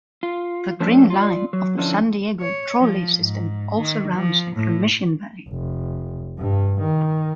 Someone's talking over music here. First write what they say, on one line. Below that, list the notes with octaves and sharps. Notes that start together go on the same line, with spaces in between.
The Green Line of the San Diego Trolley system also runs through Mission Valley.
F4
F3 A3 C#4 D4
F4 D5
F#3
D3 F3 C#4 D4 E4
C#5
F3
G#2
D#3
F3
A2
F1
G2
D#3